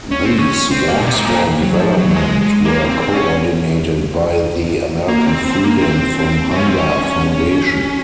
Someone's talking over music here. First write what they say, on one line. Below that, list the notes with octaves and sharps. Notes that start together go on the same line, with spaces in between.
These "Walks for Development" were coordinated by the American Freedom from Hunger Foundation.
C#4
C4
C#4
C4
A#3
A#2
C3
G#2
A#2
F#3
F3
F#3
G#3
G#3
A#3
C4
C4
C#4
A#3
C4
C4
A#3
A#3
C4
C4
C4
C#4
C4
C#4
C#4